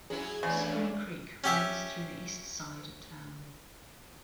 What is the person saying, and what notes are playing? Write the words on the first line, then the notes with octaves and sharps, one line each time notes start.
Spring Creek runs through the east side of town.
F#3 C#4 E4 G#4 G#6
E2 C#3 E3 A3 B3 C#4 D4 G#5
C#4 G4 E5